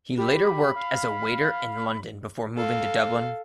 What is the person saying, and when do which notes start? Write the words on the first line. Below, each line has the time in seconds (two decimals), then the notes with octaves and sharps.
He later worked as a waiter in London before moving to Dublin.
0.18 G4 B5
0.76 F5
2.56 A4 F5